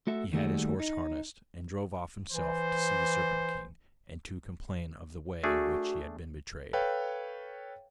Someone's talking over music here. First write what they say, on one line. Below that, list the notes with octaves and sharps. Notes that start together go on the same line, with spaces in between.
He had his horses harnessed and drove off himself to see the Serpent King and to complain of the way in which he had been betrayed.
A3 F#4 A4 E5
D#2 D#3 G3 A3 F#4 G#4
D#4
E3 C5
A3 D4 F#4 G#4
A4 B4 C#5 F5 G5